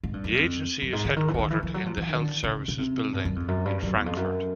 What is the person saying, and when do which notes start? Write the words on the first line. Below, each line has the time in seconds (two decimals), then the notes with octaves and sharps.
The agency is headquartered in the Health Services Building in Frankfort.
0.04 G#2
0.13 G2
0.24 F#2
0.34 F2
0.82 F#2
0.93 G#2
1.05 D3
1.16 D#3
1.28 E3
1.34 D3
1.39 D#3
1.50 E3
1.63 F3
1.74 F#3
1.86 F3
1.97 E3
2.09 D#3
2.20 D3
2.43 C#3
2.68 C#3
2.78 C3
3.13 G2
3.25 F#2
3.36 F2
3.48 F#2
3.65 G2
3.83 F#2
3.94 E2
4.06 F2
4.17 F#2